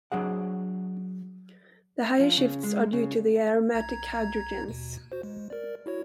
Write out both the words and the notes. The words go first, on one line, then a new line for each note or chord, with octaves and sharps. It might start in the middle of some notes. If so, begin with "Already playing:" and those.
The higher shifts are due to the aromatic hydrogens.
F#3 D4 G#4 F#5
F3
C#3
G#3
C#3
B1 A#5 G#6
D#2 B2
F#4 C5
G#3
A#4 D5
E4 F#4 C#5